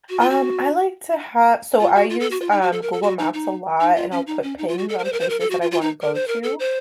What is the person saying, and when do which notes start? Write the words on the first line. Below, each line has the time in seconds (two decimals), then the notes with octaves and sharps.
Um, I like to ha so I use, um, Google Maps a lot and I'll put pins on places that I wanna go to,
0.09 F#4
0.20 F4
0.30 F#4
1.80 F4
1.95 F#4
2.10 F4
2.20 A4
2.31 F#4
2.41 F4
2.52 D#4
2.62 F#4
2.72 A4
2.82 A#4
2.93 A4
3.03 F#4
3.19 D#4
3.34 D#4
3.81 D#4
3.96 F4
4.11 C#4
4.27 D#4
4.43 C#4
4.58 D#4
4.68 F4
4.78 F#4
4.89 A4
4.99 A#4
5.04 C5
5.13 A#4
5.20 C5
5.30 A#4
5.40 A4
5.51 F#4
5.61 F4
5.71 F4
5.81 D#4
6.02 A#4
6.15 C5
6.28 A#4
6.43 A4
6.59 C5